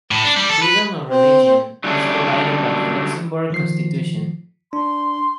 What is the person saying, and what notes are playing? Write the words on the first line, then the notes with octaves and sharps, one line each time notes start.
Freedom of religion is provided by the Luxembourg Constitution.
A2
D4
G3
A4
B4
C4
D3 F#3 G3 A3 C#4 D4
D#3 F3 C7
D4 C6